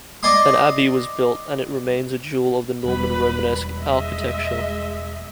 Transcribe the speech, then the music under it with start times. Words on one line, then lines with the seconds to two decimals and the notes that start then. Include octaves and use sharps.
An abbey was built and it remains a jewel of the Norman Romanesque architecture.
0.23 D5 D#5 G#5 C6 D#6
2.84 E1 G3 B4 B5
3.79 G#3 D#5 E5